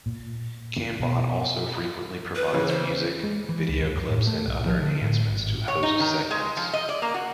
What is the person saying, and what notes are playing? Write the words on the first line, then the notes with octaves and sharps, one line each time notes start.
Cambot also frequently provides music, video clips, and other enhancements to host segments.
A#2
B2
B4
C#3 E3
C5
G#3
E3
C#2
D#2
F2
A2
A3
B1
F3
D3
A2
G#1
C#5
D#4
D#3
G#3
F3
D#5
D5
A#3
F#4